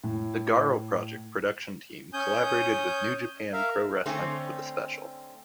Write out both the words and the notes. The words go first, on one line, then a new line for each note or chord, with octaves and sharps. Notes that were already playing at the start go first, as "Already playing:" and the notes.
The Garo Project production team collaborated with New Japan Pro-Wrestling for the special.
A2
C#4 G#5 D#6 G6
A#4 E5 F5
D3 A3 C4 C#4